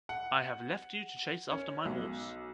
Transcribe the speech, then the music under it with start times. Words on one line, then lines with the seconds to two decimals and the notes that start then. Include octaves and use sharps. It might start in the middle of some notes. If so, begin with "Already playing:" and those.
I have left you to chase after my horse.
0.09 F#5
1.51 C#4
1.85 B1